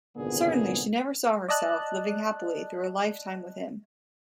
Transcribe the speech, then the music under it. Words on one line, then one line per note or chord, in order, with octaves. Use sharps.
Certainly she never saw herself living happily through a lifetime with him.
G#1 C#2 A#2 D3 B3 G#4
D5 D#5 A5 F#6